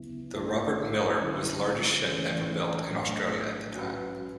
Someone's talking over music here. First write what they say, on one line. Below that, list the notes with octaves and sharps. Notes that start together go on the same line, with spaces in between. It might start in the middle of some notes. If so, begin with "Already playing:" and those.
The "Robert Miller" was the largest ship ever built in Australia at the time.
Already playing: D2 C#3 F#3 B3 E4
B2 A3 E4 A4
D3 F#3 C#4 E4
C#3 E3 A3 C#4 G#4
A2 F#3 A3 D4
G#2 F#3 C#4 F#4 B4